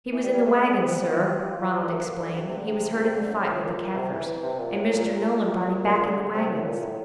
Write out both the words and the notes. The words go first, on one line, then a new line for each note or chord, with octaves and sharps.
"He was in the waggon, sir," Ronald explained; "he was hurt in the fight with the Kaffirs, and Mr. Nolan brought him back in the waggons."
E3
G3
G3
A3
D4
C4
F4
G4
F4
G4
F4
F4
G3
A3
A#3
D3
C3
A#2
C3
D3
C3
A#2
C3
D3
A2
A#2
C3
E3
C3
A#2
A2
A#2
A#2
A#2
D3
C3
A2
A#2
A2